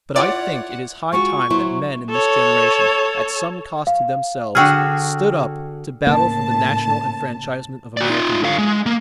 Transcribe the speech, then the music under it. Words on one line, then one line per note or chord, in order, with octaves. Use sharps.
But I think it is high time that men in this generation, at some cost to themselves, stood up to battle for the national enfranchisement of American women.
E4 F4 C#5 D5 F#5
G#3 F4 F#4 C#6
F#3 E4 C5
A4 C#5
F5
D3 F#4 G#4 G5 E6 F6
A2 C#3 A#3 A5
F#4 D5
D#4 F4
D3 F5
G#3
A#3